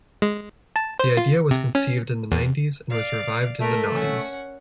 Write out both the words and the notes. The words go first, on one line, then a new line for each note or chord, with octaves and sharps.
The idea was conceived in the nineties and was revived in the naughties.
G#3
A5
C5
F4
C3
C#4
E2
D5 F5
A3 A#4
C#4 F#5